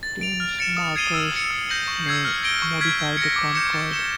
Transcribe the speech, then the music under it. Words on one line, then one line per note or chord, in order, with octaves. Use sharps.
Tense markers may modify the concord.
A6
D7 F7
F6
A6 C#7 E7
D#6
G#6 C7 D#7 G7
E6
G#6 C#7
E6
G6 A#6 D#7 F#7
C#6
E6 G#6 C7
F6
A#6 D7 G7
C#6
F6 G#6 B6
G6
A#6 C#7
D6
G6 A#6 C#7 E7
A6
C#7 E7 G7